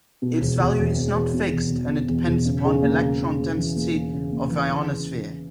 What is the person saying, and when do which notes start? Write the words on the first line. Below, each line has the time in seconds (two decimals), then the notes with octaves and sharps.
Its value is not fixed and it depends upon electron density of ionosphere.
0.22 B2
0.41 E1
0.60 E1
0.77 E2
0.96 E2
1.15 E2
1.34 B2
1.52 E1
1.71 E2
1.89 B2
2.08 E2
2.27 E1
2.45 C#3
2.65 C#3
2.82 A#3
3.02 C#3
3.20 A#3
3.39 A#3
3.57 E3
3.76 A#3
3.94 A#3
4.14 C#3
4.32 A#3
4.50 E3
4.69 C#3